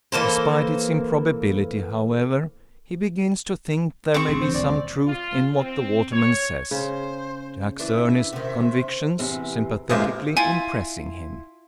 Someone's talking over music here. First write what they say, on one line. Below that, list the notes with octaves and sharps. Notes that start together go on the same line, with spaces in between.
Despite its improbability, however, he begins to think there may be some truth in what the waterman says--Jack's earnest convictions sympathetically impressing him.
E3 A#3 A4 C5
C4 G#4 C#6
A1 E3 D4
C5
D#1 C#2 D5
F4
C4
C#5
C#3 C5
E3 D4 E5
C3 D#3
E2 C3
A1 C3 F3 G#3 A#3 F4
E4 F4 G#5